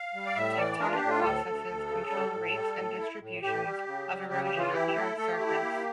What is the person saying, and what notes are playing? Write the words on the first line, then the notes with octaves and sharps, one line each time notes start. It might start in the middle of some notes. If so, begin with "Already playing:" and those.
Tectonic processes control rates and distributions of erosion at the Earth's surface.
Already playing: F5
G3
D5
A2 E5
E3 D5
D4 A#4
F4
G4
A2
F4
D2 A4
D2
D2
C#3
G3
A2
G3
A2
E4
A2
A2 G4
G3
C#3
G3
C#3 G4
G4
E3
F4
E4 G4
G4
A3
A4
A3 A4
G4
E4
G4
A#3